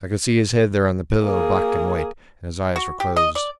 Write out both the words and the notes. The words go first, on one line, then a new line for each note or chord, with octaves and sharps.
I could see his head there on the pillow, black and white, and his eyes were closed.
A#3 G#4
F#4
G4
D#5
D5